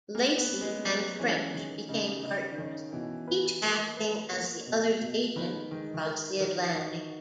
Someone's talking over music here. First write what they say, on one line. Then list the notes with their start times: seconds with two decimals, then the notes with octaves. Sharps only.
Lacy and French became partners, each acting as the other's agent across the Atlantic.
0.15 A#3 G#4
0.38 B3
0.49 C#4
0.61 G#3
0.84 F#3 G#4
1.19 E3 C#4
1.54 D#3 G#4
1.89 C#3 D#5
2.23 C#3 D#5
2.58 D#3 C#4
2.92 B2 E3
3.28 B4
3.62 A#3
3.97 B4
4.31 A#3
4.67 B2
5.01 B2
5.36 D#3 B4
5.71 D#3 G#3
5.94 D#3
6.06 A#4
6.40 D#3 A#4
6.75 D#3 F#4